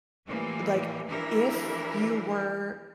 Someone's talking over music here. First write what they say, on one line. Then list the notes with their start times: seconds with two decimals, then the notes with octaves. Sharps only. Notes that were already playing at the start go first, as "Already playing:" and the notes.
like, if you were
0.27 A2 E3 F3 G3 A#3
1.07 E3 F3 D4 E4 G4 A#4